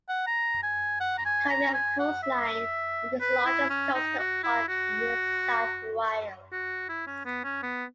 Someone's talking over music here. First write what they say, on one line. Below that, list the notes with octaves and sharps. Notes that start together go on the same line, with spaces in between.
Covering of coastline, it is the largest coastal park in New South Wales.
F#5
A#5
G#5
F#5
A#5
G#5
A#5
G#5
F#5
E5
B4
E4
C#4
D#4
F#4
E4
F#4
F#4
E4
C#4
B3
C#4
B3